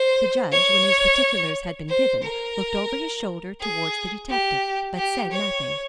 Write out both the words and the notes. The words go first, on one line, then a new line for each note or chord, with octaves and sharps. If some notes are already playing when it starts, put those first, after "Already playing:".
The Judge, when these particulars had been given, looked over his shoulder towards the detective, but said nothing.
Already playing: C5
C#5
C5
A#4
G#4
G4
G4
C#5